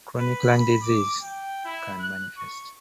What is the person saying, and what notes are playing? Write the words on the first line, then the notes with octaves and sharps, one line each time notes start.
Chronic lung disease can manifest.
B4
B5
D6
G5
E4
F#6
C#6